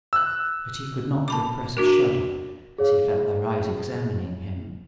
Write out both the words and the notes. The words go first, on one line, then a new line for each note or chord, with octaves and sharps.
But he could not repress a shudder as he felt their eyes examining him.
E6 F#6
A5 B5 D6
D4 F#4 A#4
G#4 C#5 F5